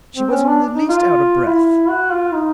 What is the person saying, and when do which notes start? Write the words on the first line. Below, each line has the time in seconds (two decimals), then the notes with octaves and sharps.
She wasn't in the least out of breath.
0.16 C4
0.31 C#4
0.46 D4
0.74 D#4
0.89 F4
1.46 E4
1.89 F#4
2.12 F4
2.33 D#4